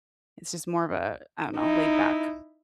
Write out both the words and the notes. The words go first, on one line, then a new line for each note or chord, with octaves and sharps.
it's just more of a I don't know, laid back,
D#4 E4